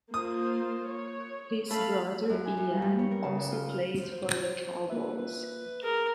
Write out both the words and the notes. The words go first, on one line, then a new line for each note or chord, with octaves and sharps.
His brother, Ian, also played for the Cowboys.
A#3 F4 C5 D#6
C#5
A3 F5 B5
F#2
G#5
F#2
G3
G2
C#5
A#4
C#3
F#2
F4
F6
C5
A#3 F4 B4 E5
G#4 A#4